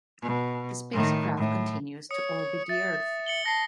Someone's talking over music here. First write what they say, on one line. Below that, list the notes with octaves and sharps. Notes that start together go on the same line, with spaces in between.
The spacecraft continues to orbit the Earth.
B2
A2 D#3
A2
C#5 D#6 C#7
E5 A6
C#7 F#7 G7
A5 A#6 C7